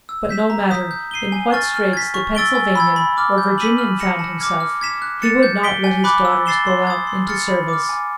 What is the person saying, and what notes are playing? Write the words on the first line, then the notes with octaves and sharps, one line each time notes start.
But no matter in what straits the Pennsylvanian or Virginian found himself, he would not let his daughters go out into service.
E6
G6 B6 E7
A#5
D#6 G6 B6
G6
C7 D#7 G7
G#5
C#6 F6 A6
F6
G#6 B6
C#6
E6 A6 D7 G7
G#5
B5 E6 G#6
B5
D6 F6
G6
B6 D#7 F#7
F6
A#6 C#7 E7
A5
D6 F6 G#6
F6
G#6 B6 E7
F#6
A6 C#7 E7
G6
B6 D7 G7
G#5
B5 D6 F#6
E6
A6 C7 E7 G7
C6
D#6 G#6
C6
F6 A6 C#7
B5
D6 F6
G#5